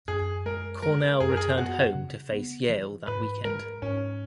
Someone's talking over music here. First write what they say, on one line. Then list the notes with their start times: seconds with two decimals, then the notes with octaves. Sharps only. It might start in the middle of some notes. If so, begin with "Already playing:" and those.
Cornell returned home to face Yale that weekend.
0.08 F#2 G#4
0.46 G#3 A#4
0.82 G#3 A#4
1.20 F#2 G#4
1.29 A#4
1.37 G#4
1.58 B3 F#4
1.95 C#3
2.32 B3
2.69 E3
3.07 G#2 B4
3.44 G#3 A#4
3.82 G#2 C#4